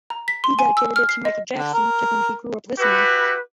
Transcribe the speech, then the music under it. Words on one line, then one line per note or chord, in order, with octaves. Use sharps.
He dedicated it to Michael Jackson, to whom he grew up listening.
A#5
B6
C6
G#5
E6
F6
C7
D#5
D3
A#4
E4 F#4 G4 B4